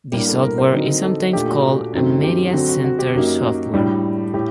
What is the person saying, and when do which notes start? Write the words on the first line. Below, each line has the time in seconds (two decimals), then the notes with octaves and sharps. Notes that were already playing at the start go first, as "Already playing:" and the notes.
The software is sometimes called "Media Center Software".
0.12 A2 G3 A#3 D4 G4
0.28 A4
0.43 A#4
0.58 C5
0.73 D3 F#3 C4 D#4 A#4
1.02 A4
1.33 A#2 A3 D4 G4
1.48 F#4
1.93 F#2 D#3 F#3 A3 C4
2.23 G4
2.53 D3 F#3 C4 F#4
2.69 F#4
2.84 F#4
2.99 G4
3.14 F#2 F#3 A#3 D#4
3.43 F#4
3.74 A2 G3 D4
4.34 A2 G4